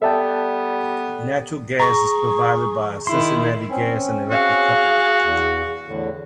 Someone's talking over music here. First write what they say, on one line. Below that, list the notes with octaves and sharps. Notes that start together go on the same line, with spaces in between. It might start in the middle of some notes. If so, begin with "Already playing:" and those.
Natural gas is provided by the Cincinnati Gas and Electric Company.
G3 B3 A4 D5 E5 G5 A5
G#4 A#5 C#6
D#3 E4 C6
C4 C#4
F#4 G#4 F5
E2
E2 A2 D3